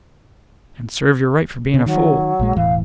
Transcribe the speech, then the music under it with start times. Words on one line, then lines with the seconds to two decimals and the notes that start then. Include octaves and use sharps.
And serve yer right for being a fool.'
1.74 C#3 C#4
1.86 D#3 F#3
2.39 A#1 A#2 G#3
2.57 E1 A2 E3 F5